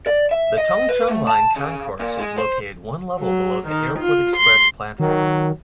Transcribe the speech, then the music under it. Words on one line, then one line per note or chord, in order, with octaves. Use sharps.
The Tung Chung Line concourse is located one level below the Airport Express platform.
D5
E5
D#5
B4
A3
A5
C#3
A#2
G#3
C5
F#3
D#3
F4
C6
D#3 F#3